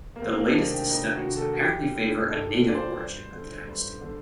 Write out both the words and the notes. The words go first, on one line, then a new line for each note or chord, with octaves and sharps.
The latest studies apparently favour a native origin of the dynasty.
A#3
D2 C4
A#3
C4
D4
C3 D#3 D#4
G4
D2 D#4
F#4
C3 D#3
A4
F#4
C2 G4
A#2
C2 A4
A#2 D5
C5
G2
D3
G2
D3